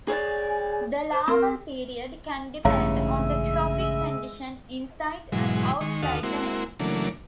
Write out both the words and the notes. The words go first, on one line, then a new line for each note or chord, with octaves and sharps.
The larval period can depend on the trophic condition inside and outside the nest.
G#4 C#5 D5 G#5
C5
C4 A#4
A1 G2 C#3 G#3 C#5 E5 F5 A#5
G#2 B2 E3 F#3 G#3
D#3 G#3 C#6
D#2 D3 F#4 A4 F5 D#6
G#3 A#3 C4 E4 F#4
C#3 E3 F#3 A3 A#3 D4